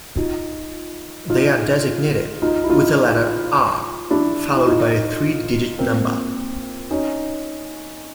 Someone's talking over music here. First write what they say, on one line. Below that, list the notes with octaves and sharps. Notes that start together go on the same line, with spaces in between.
They are designated with the letter "R" followed by a three-digit number.
D#4 F4
D#4 F4
D#4 F4
E4
D#4 F4
D4 E4
E4
D#4 F4
A#3 C4
C#4 D#4